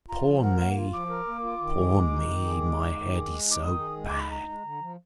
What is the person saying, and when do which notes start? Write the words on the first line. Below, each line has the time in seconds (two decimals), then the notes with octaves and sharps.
'Poor me, poor me, my head is so bad.
0.08 F4 A#5
0.25 F3
0.42 A#4 F#5
0.59 A#3 F#5
0.76 F4
0.93 F3 D6
1.09 A#4
1.27 A#3
1.43 F4
1.60 D#3
1.78 G#4
1.94 G#3
2.11 D#4
2.28 D#3
2.45 G#4
2.61 G#3
2.78 D#4
2.95 D#3
3.12 G#4
3.29 G#3
3.46 D#4 D6
3.62 D#3 D#6
3.79 G#4
3.97 G#3
4.08 D6
4.14 D#4
4.19 B5
4.30 D2 A#5
4.47 G#3
4.64 D3
4.81 F3